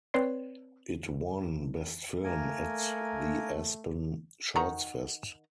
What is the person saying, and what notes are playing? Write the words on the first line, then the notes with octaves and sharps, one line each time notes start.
It won "Best Film" at the Aspen Shortsfest.
C4 B4 C#5 D5 C6 C7
A3 A#3 A#4 G#5
D#3 F#4 A#5